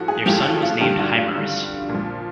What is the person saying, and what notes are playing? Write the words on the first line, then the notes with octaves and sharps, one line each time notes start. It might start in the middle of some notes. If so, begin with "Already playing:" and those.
Their son was named Himerus.
Already playing: A2 F3 F#4
G#4
A2 F3 G4
F#4
F4
G2 D3 G3 G4
F#4
F4
G2 D3 G3
A#2
F3